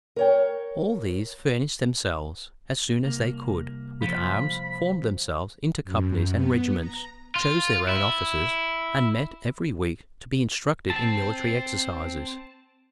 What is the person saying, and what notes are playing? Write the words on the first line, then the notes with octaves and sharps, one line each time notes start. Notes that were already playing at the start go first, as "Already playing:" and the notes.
All these furnished themselves, as soon as they could, with arms, formed themselves into companies and regiments, chose their own officers, and met every week to be instructed in military exercises.
A#4 C#5 G5
C2 A#3
F3 B5
F#2
B3
A#5
F4
E4
C4 A5